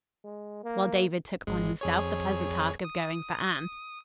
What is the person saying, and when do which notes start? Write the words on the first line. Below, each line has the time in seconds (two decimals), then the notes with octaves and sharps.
While David took upon himself the pleasant task of going for Anne.
0.24 G#3
0.64 A#3
1.47 G#1 G#3
1.81 F2 G#4 C#5
2.85 D#6